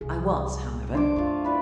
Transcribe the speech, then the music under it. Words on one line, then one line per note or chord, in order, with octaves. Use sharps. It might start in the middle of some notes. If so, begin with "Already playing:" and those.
I was, however.
C2 G#4
D4 C5 D6
F#2 A3 F4
E4 B4 D5